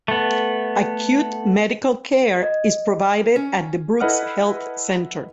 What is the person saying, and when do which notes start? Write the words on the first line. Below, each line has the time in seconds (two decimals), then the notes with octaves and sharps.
Acute medical care is provided at the Brooks Health Centre.
0.08 A3 B3
2.42 D#5
3.36 C#4
4.00 E4 A4 B4 D#5 F#5 F6